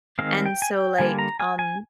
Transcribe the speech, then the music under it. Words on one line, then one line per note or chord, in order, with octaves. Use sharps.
and so, like, um
D#3 G#3 C4 F5
G5
G#5
G5
D3 G3 A#3 G#5
A#5
G#5
G#5